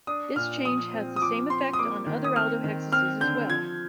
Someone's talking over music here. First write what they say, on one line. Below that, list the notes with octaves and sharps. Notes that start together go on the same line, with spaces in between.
This change has the same effect on the other aldohexoses as well.
D4 D#6
A#2 F6
F3 D#6
C4
D#6
F3 D6
C4 C6
D#6
A#3 D6
D#3
D#6
C4 F6
D#3
C4 F6
D3 G6
F3 G#6